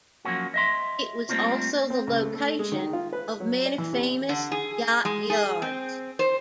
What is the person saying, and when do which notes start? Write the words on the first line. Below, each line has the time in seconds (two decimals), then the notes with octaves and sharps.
It was also the location of many famous yacht yards.
0.25 F3 F#3 A#3 C#4 F#4
0.54 D#5 E5 C6
1.29 G3 A3 A#3 C4 D4 F4
1.90 C4
2.07 C#2
2.21 A3
2.35 A3
2.59 G#3
2.72 D#3
2.93 F4
3.13 B4
3.40 F#3
3.65 D5
3.78 E3
3.93 C3
4.29 D3
4.52 G#4
5.05 G#3
5.30 G#4
5.62 C4
6.19 C5